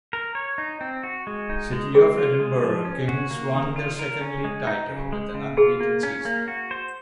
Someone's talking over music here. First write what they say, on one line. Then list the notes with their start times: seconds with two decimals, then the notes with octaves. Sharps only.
City of Edinburgh Kings won their second league title with an unbeaten season.
0.13 A#4
0.35 C#5
0.58 D#4
0.81 C4
1.03 F#4
1.27 G#3
1.50 D#4
1.72 G#3
1.94 C4 G#4
2.18 F4
2.40 G#3
2.63 F3
2.85 C#4
3.08 F#4
3.30 A#3
3.54 D#3
3.76 F4
3.99 A#4
4.21 C#4
4.44 G#3
4.67 D#4
4.89 C#3
5.12 G#3
5.34 C#3
5.57 F4 G#4
5.80 A#3
6.03 C#4
6.25 A#3
6.48 F#4
6.71 C5